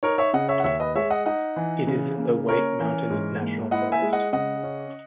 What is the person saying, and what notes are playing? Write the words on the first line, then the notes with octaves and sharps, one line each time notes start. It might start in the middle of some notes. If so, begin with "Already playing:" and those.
It is in the White Mountain National Forest.
D#4 A#4 C#5
C#5 E5
C#3 D#5 F#5
C#5 E5
F#5
D#2 C#5 E5
B4 D#5
G#3 C#5 E5
D#5 F#5
D#4 D#5 F#5
E3
C#3
A#3
C#4 A#4 C#5
E3
G#2
A#3
E4 D#5 F#5
E5 G#5
G#3
D#5 F#5
C#3 D#5 F#5
C#4